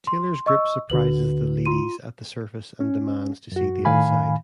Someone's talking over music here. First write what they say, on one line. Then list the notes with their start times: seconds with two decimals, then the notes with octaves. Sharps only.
Taylor's group surprises the leadys at the surface and demands to see the outside.
0.07 C6
0.46 D#5 C#6 E6
0.90 D2 D3 F#4 B4 F#7
1.66 F4 C6 D#7
2.80 C#4
3.52 F#2 F#4
3.85 A2 D#3 F5 G#5 B5